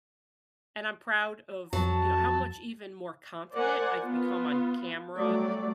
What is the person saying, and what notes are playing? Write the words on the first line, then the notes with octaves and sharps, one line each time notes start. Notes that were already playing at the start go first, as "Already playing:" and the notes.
and I'm proud of, you know, how much even more confident I've become on camera,
F2 F#3 A5
A#4 C5 D5 F#5 G#5
B3 F4
F#3 G3 A3 D5